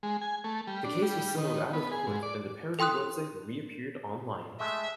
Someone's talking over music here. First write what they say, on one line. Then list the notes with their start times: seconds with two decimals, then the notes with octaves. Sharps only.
The case was settled out-of-court and the parody web site re-appeared online.
0.03 G#3
0.21 G#5
0.44 A3
0.67 G3
0.84 D4
1.02 G3
1.38 D#3
1.73 B3
1.92 G#4
2.07 G#2
2.23 D5
2.79 A4 G5 C6 D#6 F#6
4.60 G#3 A3 E5